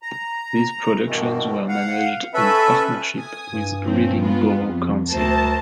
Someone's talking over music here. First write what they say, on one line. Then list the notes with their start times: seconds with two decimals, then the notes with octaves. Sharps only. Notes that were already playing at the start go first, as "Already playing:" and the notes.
These productions were managed in partnership with Reading Borough Council.
0.02 A#5
1.05 G2 B2 D#3 E3
1.69 F5 F#5
2.34 C#4 A4 B4 E5 B5
3.15 G#5 D#6
3.50 G2
3.83 F3 C4 C#4
4.21 G#3 B3 F4
4.58 F2
5.10 D2 A#4 C5 A5